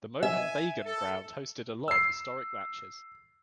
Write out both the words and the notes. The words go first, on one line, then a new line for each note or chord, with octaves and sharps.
The Mohun Bagan Ground hosted a lot of historic matches.
E5 G#5
A4
E6 C7